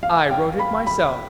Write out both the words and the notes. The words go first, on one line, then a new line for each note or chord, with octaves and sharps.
"I wrote it myself."
F5
G5
B5
B5